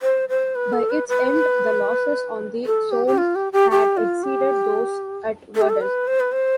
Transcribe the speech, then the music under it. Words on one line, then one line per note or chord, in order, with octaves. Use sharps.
By its end the losses on the Somme had exceeded those at Verdun.
C5
C5
B4
A4
B4
B4
A4
G4
G4
F4
G4
G4
G4
F4
G4
A4
G4
A4
B4
C5
B4
C5